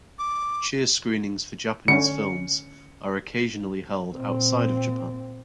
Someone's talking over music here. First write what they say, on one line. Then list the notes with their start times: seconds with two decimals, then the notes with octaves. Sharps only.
Cheer screenings for Japanese films are occasionally held outside of Japan.
0.19 D6
1.88 D3 C#4 C#7
4.16 A#2 C4